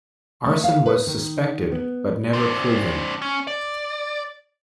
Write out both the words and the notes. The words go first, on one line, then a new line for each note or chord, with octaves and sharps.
Arson was suspected but never proven.
A3
F5
B4
D#3
B3
C4 D4
C#4
D5